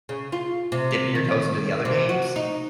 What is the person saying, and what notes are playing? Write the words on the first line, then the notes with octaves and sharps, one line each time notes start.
dipping your toes into the other games?
C#3
F4
C3
D#3
C3
F#4
D#4